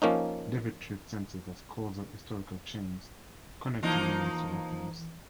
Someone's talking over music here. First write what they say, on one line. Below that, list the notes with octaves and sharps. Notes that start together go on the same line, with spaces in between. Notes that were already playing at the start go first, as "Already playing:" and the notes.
Devitt treats senses as causal-historical chains connecting names to referents.
F3 A#3 C#4 D#4
E3 F3 A#3 D#4